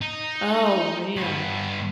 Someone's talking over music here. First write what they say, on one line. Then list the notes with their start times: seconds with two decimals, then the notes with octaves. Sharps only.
Oh, man.
0.01 D#4
1.16 G2 B3